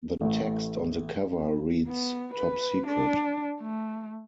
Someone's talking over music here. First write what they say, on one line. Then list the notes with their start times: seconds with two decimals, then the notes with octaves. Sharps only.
The text on the cover reads Top secret.
0.21 A1 A3
1.88 B3
2.34 B4
2.87 D4
3.61 A3